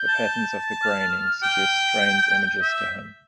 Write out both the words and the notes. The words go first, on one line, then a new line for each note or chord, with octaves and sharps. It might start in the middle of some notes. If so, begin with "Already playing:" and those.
The patterns of the graining suggested strange images to him.
Already playing: G6
A5
F6
G5
G6
E5